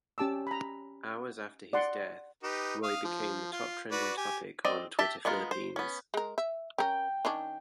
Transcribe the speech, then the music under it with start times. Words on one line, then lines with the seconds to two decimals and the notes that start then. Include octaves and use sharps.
Hours after his death, Roy became the top trending topic on Twitter Philippines.
0.18 C#4 G4 A5 D6 E6
0.47 A#5 B5
1.73 D5 F#5 C6
2.43 D#4 G4 B4
2.83 F5 D#6
3.04 F3
3.52 F4
3.91 F#4 B4 D5
4.17 G4 G#5
4.65 C4 D5 D#5
4.99 G4 E5 A5
5.25 G#3 B3 D4 F4 A#4
5.51 C5
5.76 B3 C#4
6.14 G#3 A#4
6.38 E5
6.78 C#4 A#4 G5
7.25 D#3 C#4 D4